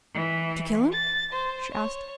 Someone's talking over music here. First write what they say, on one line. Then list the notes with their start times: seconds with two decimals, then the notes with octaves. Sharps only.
"Did you kill him?" she asked.
0.15 E3
0.92 A6
1.32 C5
1.72 C#5